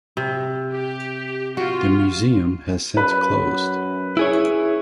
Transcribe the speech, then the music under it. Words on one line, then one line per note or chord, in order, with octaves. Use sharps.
The museum has since closed.
C3
G4
F4 F#4
F#2 B4
E4 G#4 C#5